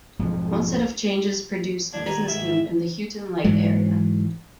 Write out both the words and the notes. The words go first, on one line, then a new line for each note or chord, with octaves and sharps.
One set of changes produced a business loop in the Houghton Lake area.
B1 F2 G#2 F3
A1 D#2 D4 G#6
B2 D#3 B4 A#5
G#2 D#3 G#4 E5
E4
G#2 E3 F#3